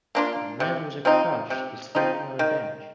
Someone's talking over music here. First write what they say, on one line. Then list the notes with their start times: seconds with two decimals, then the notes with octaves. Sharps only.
A man with a crutch is sleeping on a bench.
0.15 A#3 D4 F4
0.60 C3
1.05 F3 C4 D#4
1.50 C3
1.95 F3 C4 D#4
2.39 D#3